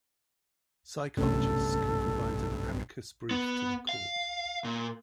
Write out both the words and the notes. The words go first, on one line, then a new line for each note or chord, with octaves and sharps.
Psychologists can provide an amicus brief to the court.
B1 G2 C3 A3 C#4 A4
B3
F5
A#2